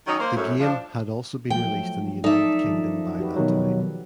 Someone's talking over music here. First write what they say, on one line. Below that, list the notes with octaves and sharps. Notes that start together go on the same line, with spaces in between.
The game had also been released in the United Kingdom by that time.
D#3 F#3 C#4 D#4
A#3 C5
F#2 A2
F3 D4
F3 F#3 A3 G5
D#4 A4 D5 E5
D#3 F3
F#4 G4 B4
B2 D#3 F#3